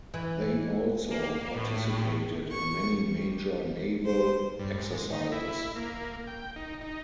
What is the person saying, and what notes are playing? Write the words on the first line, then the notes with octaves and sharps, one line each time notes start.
They also participated in many major naval exercises.
E3
A#3
A2
C#6
G3
C5
G2
G#2
D#4
E4
A#3
G5
D#4
D#4